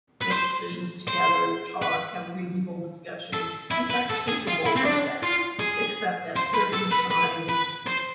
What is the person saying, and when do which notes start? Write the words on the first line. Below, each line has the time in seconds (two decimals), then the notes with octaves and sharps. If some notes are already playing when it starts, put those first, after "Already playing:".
make decisions together, talk, have a reasonable discussions, he's not capable of that except at certain times,
0.21 B4
0.32 C5
1.08 C5
1.82 B4
3.34 A4
3.71 E4
3.90 B4
4.10 A4
4.28 G#4
4.48 F4
4.66 E4
4.76 C4
4.85 D4
5.23 F4
5.60 G#4
6.36 C5
6.55 B4
6.74 A4
6.92 B4
7.11 B4
7.49 B4
7.87 C5